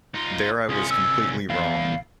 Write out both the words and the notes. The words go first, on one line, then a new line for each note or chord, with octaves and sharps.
There I was completely wrong.
D#4 F4
C2 C#4 F4 G#4
E6
E2 E4 F5